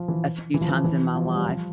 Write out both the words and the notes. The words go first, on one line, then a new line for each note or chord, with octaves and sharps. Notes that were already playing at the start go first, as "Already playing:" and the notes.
a few times in my life
Already playing: F3
E3
E3
F3
E3
E3
F3
G3
G3
F3